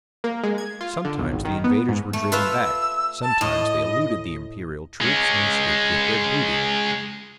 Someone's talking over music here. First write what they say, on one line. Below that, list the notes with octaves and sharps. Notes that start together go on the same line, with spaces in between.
Sometimes the invaders were driven back, sometimes they eluded the imperial troops and escaped with their booty.
A#3
G#3
G#6
F4
D3
B1
G#1
D#3
B3
G#2
A3
F4 B4 E5 E6
A5
A2 D#5
G#3 C#4